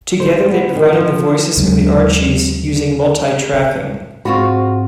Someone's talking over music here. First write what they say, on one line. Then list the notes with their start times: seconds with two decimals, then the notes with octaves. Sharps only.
Together they provided the voices of the Archies using multitracking.
0.20 C5
0.50 B3
0.75 D#3
0.93 F3
1.57 D#2 C#3 F#3 G#3
4.25 G#2 C4 F4 F#4 C#6